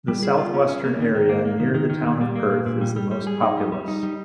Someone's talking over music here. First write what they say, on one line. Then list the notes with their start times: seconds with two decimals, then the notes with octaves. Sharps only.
The south-western area, near the town of Perth, is the most populous.
0.08 G3
0.23 G#4
0.38 F4
0.54 C#4
0.68 C#4
0.84 A#3
0.99 D#3
1.15 D#3
1.29 A#3
1.45 A#3
1.60 D#3
1.74 D#3
1.90 D#3
2.06 A#2
2.21 G3
2.35 A#3
2.51 A#2
2.66 A#2
2.81 G3
2.96 G3
3.11 G3
3.27 G#4
3.42 D#4
3.57 G3
3.72 G3
3.88 D#4
4.03 G3